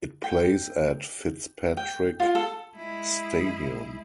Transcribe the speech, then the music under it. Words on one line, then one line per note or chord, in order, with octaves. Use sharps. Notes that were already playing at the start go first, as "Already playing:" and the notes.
It plays at Fitzpatrick Stadium.
G5
G5
F4
A4
G#3 E4